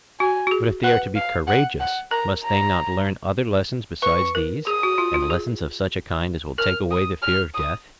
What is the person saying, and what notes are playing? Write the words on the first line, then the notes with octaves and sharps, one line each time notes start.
But if they are to be courageous, must they not learn other lessons besides these, and lessons of such a kind as will take away the fear of death?
F#4 G#5
F#4
G#4
B4 F#5
F5
F#5
F#5
A#4 A#5
A#5
B4 C#6
A#4
G#4 D#6
F#4
F4
F4
G#4
A#4 F6
D#6
F6
D#6